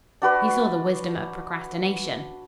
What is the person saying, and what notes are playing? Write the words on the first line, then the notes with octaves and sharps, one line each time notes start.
He saw the wisdom of procrastination.
D4 F#4 B4 D5